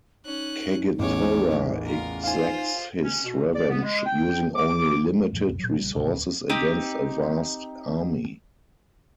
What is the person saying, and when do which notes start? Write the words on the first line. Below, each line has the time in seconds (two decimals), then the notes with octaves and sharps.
Kagetora exacts his revenge, using only limited resources against a vast army.
0.25 C#4 D#4 F#6
0.99 A1 E2 A2 C#5 D6
1.86 F4 A#4
2.24 D#4 F4 C5 F5 G#5
3.04 C#4
3.25 B2
3.55 D5
3.69 B3
3.83 G#3
4.06 G5
4.55 D6
5.33 F#2 A#2 F3
5.47 F1 C2 F#2 B2
5.60 A#2 F#3
5.79 A#1 D#2 C#3 G3
5.95 C#2 G#2 C3
6.13 D1
6.49 C4 D#4 G4